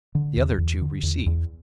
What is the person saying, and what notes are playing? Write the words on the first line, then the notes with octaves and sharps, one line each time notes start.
The other two receive.
D3
E2
E2
D3
E2
E2